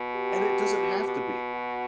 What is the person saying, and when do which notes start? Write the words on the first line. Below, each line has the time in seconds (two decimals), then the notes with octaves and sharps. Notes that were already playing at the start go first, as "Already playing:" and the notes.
and it doesn't have to be.
Already playing: B2
0.16 G4
1.07 B2
1.54 F#4